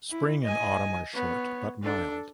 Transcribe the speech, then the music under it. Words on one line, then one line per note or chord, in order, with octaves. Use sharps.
Spring and autumn are short but mild.
E4
D#5 G#5
B3 C#5
D4 A4